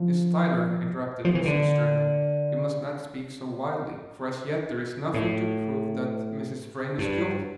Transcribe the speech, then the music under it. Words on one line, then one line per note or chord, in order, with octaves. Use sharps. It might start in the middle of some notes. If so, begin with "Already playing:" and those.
"Miss Tyler," interrupted Lucian sternly, "you must not speak so wildly, for as yet there is nothing to prove that Mrs. Vrain is guilty."
Already playing: F3
F3
E3
D3
A2
G2